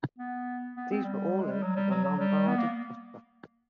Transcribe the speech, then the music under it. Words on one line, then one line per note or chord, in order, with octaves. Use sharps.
These were all linked to the Lombardy cluster.
B3
B3
C4
G3
G#3
G3
F#3
G3
F#3
F#3
G3
B3
A#3